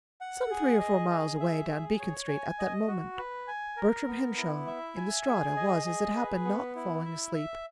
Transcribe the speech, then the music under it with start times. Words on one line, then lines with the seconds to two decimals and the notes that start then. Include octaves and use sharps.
Some three or four miles away down Beacon Street at that moment Bertram Henshaw, in the Strata, was, as it happened, not falling asleep.
0.21 F#5
0.51 G#4
0.80 D#5
1.10 G#4
1.40 E5
1.69 G#4
1.99 C#5
2.28 G#5
2.59 D#5
2.88 F#4
3.18 B4
3.48 G#5
3.77 A#4
4.07 B3
4.37 E4
4.67 E5
4.97 G#5
5.26 G#4
5.56 D#5
5.85 G#4
6.16 B4
6.45 B3
6.76 E4
7.05 E5
7.34 E5